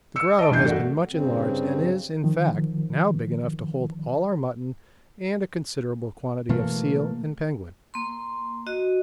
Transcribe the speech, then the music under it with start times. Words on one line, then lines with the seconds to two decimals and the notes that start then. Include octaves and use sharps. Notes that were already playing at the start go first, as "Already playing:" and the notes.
The grotto has been much enlarged and is, in fact, now big enough to hold all our mutton and a considerable quantity of seal and penguin.
0.16 E6 C#7
0.39 D#5 A5 D7
0.50 E1 G2 E3 E4 G6 C7
0.65 A3 D4 F#4
1.11 G2 C#3 C4
2.24 D#3 F3
6.49 B2 E3 A3 A#3
7.94 A#3 C6
8.67 F#4 D#5